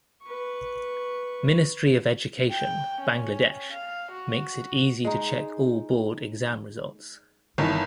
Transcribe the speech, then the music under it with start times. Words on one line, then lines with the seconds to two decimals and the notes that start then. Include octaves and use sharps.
Ministry of Education, Bangladesh makes it easy to check all Board exam results.
0.23 B4 C#6
2.51 G5
3.01 C#4
3.72 F5
4.11 F#4
5.05 G#3 D#4
7.58 G1 D#3 E3 B3 C#4 A5